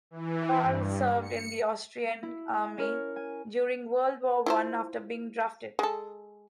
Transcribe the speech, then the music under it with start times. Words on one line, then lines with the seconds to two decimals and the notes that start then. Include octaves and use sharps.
Carl served in the Austrian army during World War One after being drafted.
0.11 E3
0.62 G2
1.22 C#7
2.23 E4
2.78 C#4 A#4 C#5
3.16 G#5
4.46 E4 F4 C5
5.79 G#3 A4